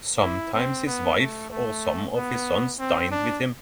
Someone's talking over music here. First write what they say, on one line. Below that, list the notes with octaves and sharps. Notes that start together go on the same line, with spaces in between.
Sometimes his wife or some of his sons dined with him.
E4
C4
B3
A3
A3
B3
C4
D4